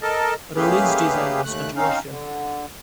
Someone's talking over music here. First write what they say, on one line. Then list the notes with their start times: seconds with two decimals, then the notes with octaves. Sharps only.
Rodin's design was controversial.
0.01 A4 A#4 D#5 A5
0.56 A3 A#3 C#4 G4 G#4 B4
1.44 D#2 A3 F#6
1.76 C4 C#4 D#4 F5
2.10 D3